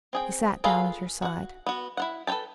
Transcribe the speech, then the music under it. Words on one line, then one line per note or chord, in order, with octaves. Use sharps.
He sat down at her side.
C4 G#4 G5
F4 G#4 A4 B4 F5
F#4 F#5
B3 F#4
E4 F4 F#5
A4 B4 C#5 G5 A5